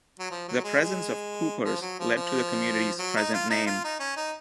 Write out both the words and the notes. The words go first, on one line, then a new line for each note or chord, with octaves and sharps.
The presence of coopers led to the community's present name.
F#3
F3
F#3
G#3
G#3
F3
F#3
F3
F3
F#3
D#4
F4
D#4
F4
D#4
C#4
D#4